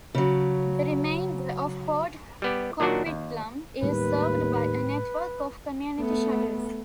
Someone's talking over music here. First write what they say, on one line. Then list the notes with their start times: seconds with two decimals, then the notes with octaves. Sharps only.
The remainder of Port Coquitlam is served by a network of Community Shuttles.
0.15 C#3 F#3
2.42 G3 B3 G4
2.80 A#2 D#3 F#3 D4 F#4
3.06 D#2
3.82 D#2 A2 G3 G#3 B4
6.00 A3 B3